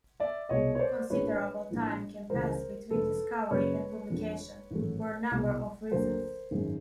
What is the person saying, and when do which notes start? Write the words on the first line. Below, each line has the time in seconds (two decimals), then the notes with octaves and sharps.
Considerable time can pass between discovery and publication, for a number of reasons.
0.20 D5 E5
0.49 C2 B2 G#3 C#5 D#5
0.75 C#5
0.79 C5 D5
1.10 A#1 A2 F3 G#3 B4 C#5
1.70 A#1 A2 F3
2.30 C#2 C#3 E3 G#3 A#4 C5
2.90 F1 F2 D3 A4 B4
3.50 F#2 C#3 F#3 A#3 B4 C#5
4.10 F2 D3 F3
4.71 A1 G#2 D#3 F#3 A3
5.31 C2 B2 G#3
5.91 D2 D3 F#3 A#3 A#4 C5
6.51 G#1 F#2 D#3 G#3